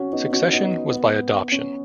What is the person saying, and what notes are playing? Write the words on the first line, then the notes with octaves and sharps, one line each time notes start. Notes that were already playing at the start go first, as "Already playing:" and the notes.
Succession was by adoption.
Already playing: C#4 F#4
B3 D#4
C#4 F#4
B3 D#4
B3
C#4